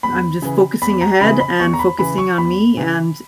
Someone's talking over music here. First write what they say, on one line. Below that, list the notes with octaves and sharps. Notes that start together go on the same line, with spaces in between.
I'm just focusing ahead and focusing on me and
E2 B5
C#3 E3
E2 B5
A#5
C#3 E3 B5
B5
E2 C#6
A#5
B5
C#3 E3 B5
C#6
E2 B5
C#3 E3